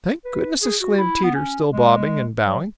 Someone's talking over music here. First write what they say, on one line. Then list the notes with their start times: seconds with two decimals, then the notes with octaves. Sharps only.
"Thank goodness!" exclaimed Teeter, still bobbing and bowing.
0.25 B4
0.63 G#4
0.81 F#4
0.98 E4
1.24 B3
1.35 C#4
1.72 G#3
2.46 F#3